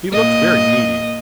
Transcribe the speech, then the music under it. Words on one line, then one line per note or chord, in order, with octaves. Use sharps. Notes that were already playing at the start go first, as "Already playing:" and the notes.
He looked very needy.
A#2 D#5